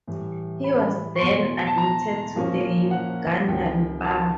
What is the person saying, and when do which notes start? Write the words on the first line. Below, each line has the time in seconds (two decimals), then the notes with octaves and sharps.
He was then admitted to the Ugandan Bar.
0.08 A2 E3 G3
0.64 B5
1.16 C#6
1.20 E2 B2 F#3 C6
1.67 A5
1.78 A#5
2.35 A#2 F3 A#3 C#4
2.91 F#5
3.48 C#2 C3 D#3 G5
4.05 A5